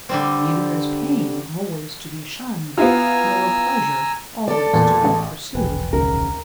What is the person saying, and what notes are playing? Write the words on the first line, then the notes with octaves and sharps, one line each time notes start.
Neither is pain always to be shunned, nor pleasure always to be pursued.
D3 G3 C4
B3 E4 F4 G#5 A#5 E6
A4 D5
E2 A#2
A1
E1 A#1 B4 G5 G#5
D#1 C#2 G#2 C#3 A#4